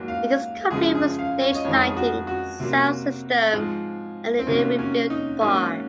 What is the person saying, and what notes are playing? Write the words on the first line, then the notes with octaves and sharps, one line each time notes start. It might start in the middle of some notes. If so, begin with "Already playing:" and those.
It is complete with stage, lighting, sound system and newly rebuilt bar.
Already playing: G#2 F#3 A#3
F5
F#2 C#3 F3 G#3 G#4
G#4
F5
C#5
D#5
F2 D#3 G#3 C#5
G#4
F#4
F#4
C3 F#3 A#3
G#2 F3 G#3
C4
C3 D#3 F#3 A#3 C#4
C#4
D#4
G#2 F#3 A#3 C#4